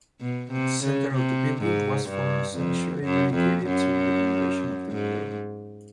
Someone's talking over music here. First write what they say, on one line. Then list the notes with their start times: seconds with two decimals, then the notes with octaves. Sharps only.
At the center of the building was found a sanctuary dedicated to the veneration of the emperor.
0.21 B2
0.52 C3
0.84 C#3
1.15 C3
1.62 G#2
2.10 G2
2.56 F2
3.04 F#2
3.34 F2
3.66 F#2
4.92 G#2